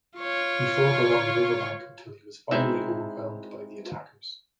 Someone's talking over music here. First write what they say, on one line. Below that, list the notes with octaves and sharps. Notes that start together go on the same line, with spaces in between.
He fought along the riverbank until he was finally overwhelmed by the attackers.
F4 C#5
G#3 C4 D#4 E4 E5